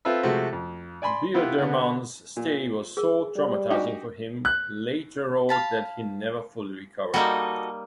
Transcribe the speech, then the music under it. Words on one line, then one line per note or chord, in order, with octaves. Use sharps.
Bierdermann's stay was so traumatizing for him later wrote that he never fully recovered.
C4 F4 A4 B4 E5
C3 F3 G#3 A3 F#4 C5
F2
D5 G#5 B5 C6
B3 E4 F4 G4 B4
D3 B3
A#2
G#4 A#4
G3
D4 D#4 F#4 G4
F#6
F5 A5 B5
G3 A#3 D#4 F#4 A4 D#5